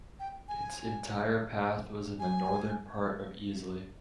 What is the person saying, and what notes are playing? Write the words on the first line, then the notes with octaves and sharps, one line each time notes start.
Its entire path was in the northern part of Easley.
G5
G#5
G#5